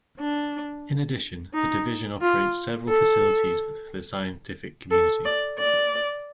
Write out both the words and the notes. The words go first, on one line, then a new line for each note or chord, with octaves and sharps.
In addition, the division operates several facilities for the scientific community.
D4
D#4
F4
A4
A4
D5
D5